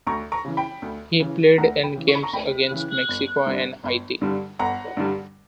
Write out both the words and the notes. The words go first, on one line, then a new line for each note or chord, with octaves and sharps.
He played in games against Mexico and Haiti.
D2 A#5 C#6
A#5 C#6
C#3 E3
G5 B5
D2
C#3 E3
D2 F#5 A#5
G5 B5
C#3 E3
C#6
B5
A#5 C#6
D2 G5 B5
C#3 E3
G1
G2 D3 G3
G1
G2 D3 G3
G1 F#5 A#5
G2 D3 G3